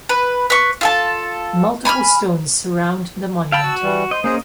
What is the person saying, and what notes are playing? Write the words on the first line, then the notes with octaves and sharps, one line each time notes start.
Multiple stones surround the monument.
B4
B4 C#6
F4 A4 A5
G#5 B5 E6 F6
F5 G5 A5 B5 E6
F#4
E3 G3
C5 D#5
A#3 C#4 G#4 C5 D#5